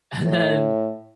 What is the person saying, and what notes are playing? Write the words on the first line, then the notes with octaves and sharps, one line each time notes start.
And then
A2